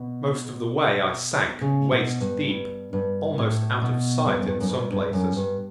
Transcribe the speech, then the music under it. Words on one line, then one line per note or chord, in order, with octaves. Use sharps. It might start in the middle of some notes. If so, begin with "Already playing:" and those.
Most of the way I sank waist deep, almost out of sight in some places.
Already playing: B2
C#3
B2
G2
G2
G2
A2
B2
G2
F#2
G2
F#2
G2
G2
F#2
G2